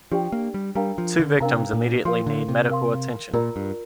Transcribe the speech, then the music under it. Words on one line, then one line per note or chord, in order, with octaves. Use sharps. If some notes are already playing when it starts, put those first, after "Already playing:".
Two victims immediately need medical attention.
F3 D4 G4 D5 G5
A#3
G3
G3 D4 A#4 F5 A#5
F3
D3
C3 D4 A#4 F5 A#5
A#2
F3 A#4 F5 C6
D3
C3
A#4 F5 C6
A#2 F4 A#4 D5 A#5
G2